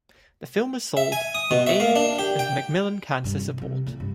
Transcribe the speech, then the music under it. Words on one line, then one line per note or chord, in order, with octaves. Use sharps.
The film was sold in aid of Macmillan Cancer Support.
E5
G#5
D#6
B2
E5
A#3
D4
G4
G5
G2
C3
C3
A#2
G2